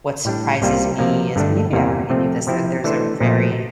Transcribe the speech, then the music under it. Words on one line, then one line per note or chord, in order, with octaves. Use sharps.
what surprises me is- maybe I already knew this- that there's a very,
A2 G3 D4
C2 C3 G3 A#3 F4
C3 F3 A#3
G2 D3 A3 D4
E2 C3 G3 A#3
C3 F3 A3 C4
C3 F3 C4 E4
E3 A3 D4 A4 C5
A#2 F3 A3